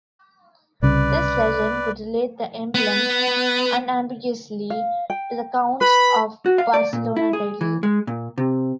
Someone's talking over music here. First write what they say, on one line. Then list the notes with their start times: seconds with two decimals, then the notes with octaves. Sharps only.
This legend would relate the emblem unambiguosly to the Counts of Barcelona title.
0.83 C2 C#3 B4 D5
2.75 B3
4.70 F5
5.10 G5
5.81 B4 B5
6.46 F#4
6.58 F5
6.74 D5
6.93 A#2
7.16 E4
7.33 G#4
7.61 E3
7.83 G#3
8.07 A#2
8.38 C3